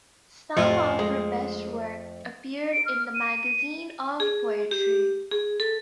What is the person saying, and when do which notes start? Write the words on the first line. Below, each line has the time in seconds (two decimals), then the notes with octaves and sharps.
Some of her best work appeared in the "Magazine of Poetry".
0.57 F2 A2 A3 F4
0.99 G#3
2.73 D7
2.86 F6
3.15 D#7
4.20 G#4
4.71 G4
5.32 G#4
5.60 A4